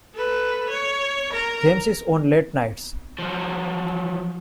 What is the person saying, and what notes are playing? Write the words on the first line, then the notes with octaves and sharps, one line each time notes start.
James is on late nights.
A4 B4
C#5
A#4 A#5
F3 F#3